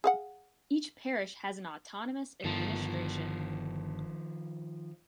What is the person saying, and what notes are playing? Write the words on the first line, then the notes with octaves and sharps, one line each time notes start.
Each parish has an autonomous administration.
G#4 F5 F#5
G1 D#3 F3 A5